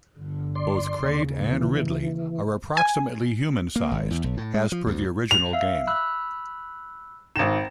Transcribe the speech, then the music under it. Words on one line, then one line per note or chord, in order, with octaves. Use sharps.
Both Kraid and Ridley are approximately human-sized, as per the original game.
G1 D3
D5 C6
D#2 C#3
E3
G#5
A#3
G#1
E2
B1
A2
G#3
F3
D2
F7
E5 F5
B5 E6 F#6
G#1 D#4 G5 A#6 E7